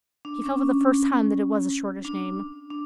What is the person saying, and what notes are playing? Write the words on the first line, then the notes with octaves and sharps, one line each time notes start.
He felt for the first time that it was a shortish name.
D4
C#4
C#4
D4
D4